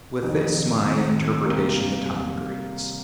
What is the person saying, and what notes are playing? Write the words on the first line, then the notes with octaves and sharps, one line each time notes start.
With this my interpretation the time agrees.
F2 D#3 C4 D#4
D#2 D#3 C4
C3 G3 A#3 G4 A#4